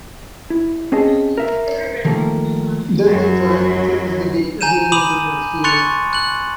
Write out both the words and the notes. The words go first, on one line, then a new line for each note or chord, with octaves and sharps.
Then they tried to change the date again into next year.
E4
C4 C#4 G#4 D#5 A5
A#4 E5
D#3 F3 A3 A#3
F#2 F#3
G#5 A#5 G6 D#7 E7
B5 D6 D#6 D#7 F7 F#7
C6 C#6 F#6 A6 C#7 F7
F#6 F#7